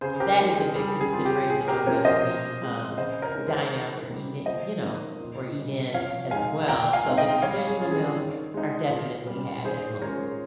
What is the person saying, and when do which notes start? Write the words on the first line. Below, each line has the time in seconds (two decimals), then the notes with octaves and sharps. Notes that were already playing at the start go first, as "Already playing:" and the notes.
that is a big consideration on whether we, um, dine out or eat it you know, or eat in as well, so the traditional meals are definitely had at home.
0.01 C#3 G#4 C5
0.20 G4 A#4
0.39 G#3 D#4 G4
0.57 G#4
0.76 G3 G#4
1.01 G#4
1.13 C4 F4
1.25 G4
1.50 A#2 G#4
1.68 G4 A#4
1.86 F3 A#3 C#4 A#4 C#5
2.05 C5 D#5
2.24 A#2
2.61 F3 G#3 C4
2.98 C#3 C5 D#5
3.22 A#4 C#5
3.34 G#3 D#4
3.47 G#4 C5
3.71 D#3
4.09 G3 A#3
4.46 F3 C5 D#5
4.83 A#3 D#4
5.20 A#2
5.57 G3 C#4
5.94 F3 C#5 F5
6.31 G#3 D#4 F5 G#5
6.68 A#2 G5 A#5
6.93 F5 G#5
7.05 G#3 C4 D#4
7.17 D#5 G5
7.42 G3 C#5 F5
7.67 G#4
7.79 C#4 F4
7.92 G#4
8.16 D#3
8.54 G#3 D#4
8.90 A#2
9.27 G3 C#4
9.64 D#3 G#4 C5
10.02 G#3 C#4 F4 A#4 C#5